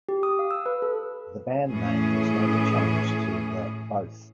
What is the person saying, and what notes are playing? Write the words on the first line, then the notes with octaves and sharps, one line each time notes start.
The band name was later changed to the Both.
G4
D#6
F5
E6
B4
A4
A2 E3 C#4 G#4